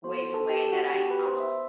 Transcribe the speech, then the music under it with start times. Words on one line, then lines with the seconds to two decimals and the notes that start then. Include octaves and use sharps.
ways away that I almost
0.04 B3 F#4 A4 C5 C6
0.34 A4 A5
0.49 G4 G5
0.72 F#4 F#5
0.94 G4 G5
1.10 B4 B5
1.25 C5 C6
1.40 E5 E6